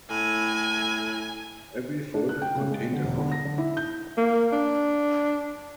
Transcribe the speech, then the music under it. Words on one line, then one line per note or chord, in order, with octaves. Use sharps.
Every folder contained a photo.
A2 G#5
D4
F#6
G5
C#3
G#3
D3
E1
D3
A#6
D3
E4
G6
A#3
D4